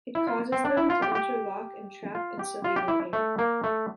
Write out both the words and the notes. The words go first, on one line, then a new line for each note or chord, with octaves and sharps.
It causes them to interlock and trap insulating air.
E4
F4
C4
D4
E4
F4
G4
G4
F4
G4
F4
G4
E4
A3
A#3
A3